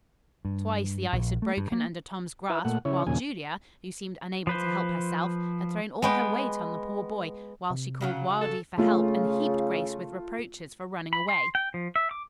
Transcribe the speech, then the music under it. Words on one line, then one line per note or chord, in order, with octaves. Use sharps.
Twice the ice had broken under Tom's grasp, while Julia, who seemed unable to help herself, had thrown all her weight on the poor boy, while she called wildly for help and heaped Grace with reproaches for running away.
G2
A#1
A3
G2
A#3
E4 B4 E5
A#2 A3 F#5
C#3 E4 C#5
D#2 A#2 C#3 F3 G#5
F3 B4 C5
G#3 B3 G5
C3
C#3 F#3 C#4
A4
C#3 A3 F4
B5
C6
G5
F3
E5
D6